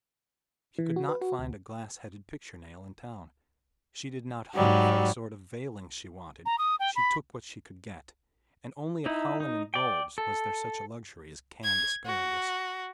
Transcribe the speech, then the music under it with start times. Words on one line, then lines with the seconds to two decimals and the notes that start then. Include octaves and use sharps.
She could not find a glass-headed picture-nail in town; she did not hunt for the sort of veiling she wanted--she took what she could get; and only at Howland & Gould's was there such a luxury as canned asparagus.
0.79 E3
0.96 F#4
1.09 B4
1.21 F#4
1.39 D2
4.54 G#2 F#3 G3
6.45 A#5
6.58 D#6
6.79 G5
6.96 B5
9.06 D#4 E4
9.40 D#4
9.74 D5 G5
10.18 A4
11.64 G#6
12.06 F#4